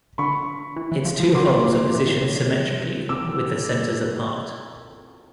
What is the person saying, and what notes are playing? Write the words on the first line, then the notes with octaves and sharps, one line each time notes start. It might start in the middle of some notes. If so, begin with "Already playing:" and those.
Its two holes are positioned symmetrically, with the centers apart.
D3 B5 C#6
E3
E3
F3
F3
F#3 C6 D6
F3 C6 D6
E3
D#3
C#3
D3
C#3
C3
C3 D6 E6
E3